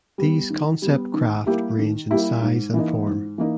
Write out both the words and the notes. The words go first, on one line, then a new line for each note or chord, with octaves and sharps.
These concept craft range in size and form.
G3 B3
D#3
G3 B3
D#3
G3 A#3 E4 G4
D#3
G3 A#3 E4 G4
G#2
E3 A#3 D#4
G#2
E3 A#3 D#4